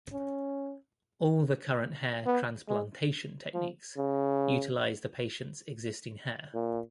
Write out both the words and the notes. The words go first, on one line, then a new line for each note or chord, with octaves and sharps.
All the current hair transplantation techniques utilize the patient's existing hair.
C#4
B3
G#3
F3
C#3
A#2